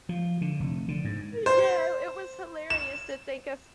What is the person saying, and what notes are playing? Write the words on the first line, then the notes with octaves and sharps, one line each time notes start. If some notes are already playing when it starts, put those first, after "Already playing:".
Uh, yeah, i it was hilarious to think of
F3
D3
F1
D3
G#2
C5
E7